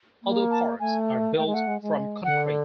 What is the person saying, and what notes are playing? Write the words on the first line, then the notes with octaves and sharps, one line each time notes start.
Other parts are built from concrete.
A#3
A5
A3 G#5
A3 G5
G#3
A3 F#5
G#3
G#3
D3 F#5